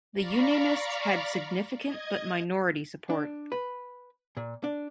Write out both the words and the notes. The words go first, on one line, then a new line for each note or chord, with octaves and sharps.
The Unionists had significant but minority support.
D5 F5 A#5 B5 C#6
D#5 G#6
D4
B4
A#2
D4